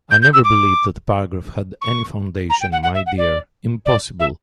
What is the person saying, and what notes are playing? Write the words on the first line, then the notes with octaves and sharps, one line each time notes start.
I never believed that the paragraph had any foundation, my dear — impossible.
G6
G6
E6
D6
C#6
A#5
G5
F#5
F#5
E5
F#5
D5
D5
E5